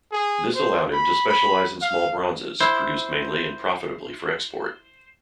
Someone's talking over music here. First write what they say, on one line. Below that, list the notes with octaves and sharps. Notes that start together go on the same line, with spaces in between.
This allowed him to specialize in small bronzes, produced mainly and profitably for export.
G#4
C5
B5
B5
F5
E4 C5